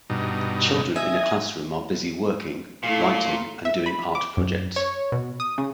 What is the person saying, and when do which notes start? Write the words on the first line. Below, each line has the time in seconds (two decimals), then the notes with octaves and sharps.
Children in a classroom are busy working, writing and doing art projects.
0.10 G2 B2 D#4
0.96 D#5 E5 G#5
2.83 A#2 A3 E4 F5
3.65 E5
3.86 B5
4.15 D6
4.37 F#2
4.76 C#5
5.12 B2
5.40 D#6
5.58 C#3